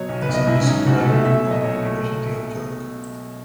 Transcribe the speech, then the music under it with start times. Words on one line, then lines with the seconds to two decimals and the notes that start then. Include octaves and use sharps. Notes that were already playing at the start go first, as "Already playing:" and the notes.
He is a music graduate from the University of York.
Already playing: B2 F#3 C#5 D#5
0.09 B1
0.22 B4
0.29 B1
0.34 D#5
0.47 G#2 E4
0.61 C#4
0.67 F#3 D#4
0.86 A1 F#4
0.99 A4
1.06 A3
1.12 E5
1.25 B2 E5
1.37 E5
1.44 F#3
1.51 D#5
1.63 B1 C#5
1.82 A3